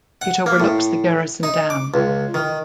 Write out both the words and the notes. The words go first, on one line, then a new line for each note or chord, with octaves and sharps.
It overlooks the Garrison Dam.
F#5
A#3
A2
D#4
D6
C#2
D#3